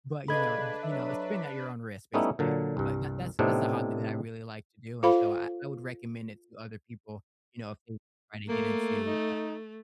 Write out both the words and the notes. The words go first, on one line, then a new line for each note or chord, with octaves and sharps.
but, you know you know, spin at your own risk, basically. But that that's that's a hobby that I really like to do, and so I I would recommend it to other people, you know, if they were trying to get into a
C#3 D4 A4 B4 D#5 B5 G#6
F#3 E5
G3 A3 B3 C#4 D#4 E4
A#2 D3 F#3
C2 G2
A2 C3 B3 C4 D4 D#4
F4 A4 C5 F5 B5
A3 A#3
D#4